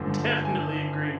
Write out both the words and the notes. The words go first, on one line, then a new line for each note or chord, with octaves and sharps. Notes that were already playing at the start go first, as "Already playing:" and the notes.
definitely agree.
Already playing: G1 F#2 D3 F3 A3
G#5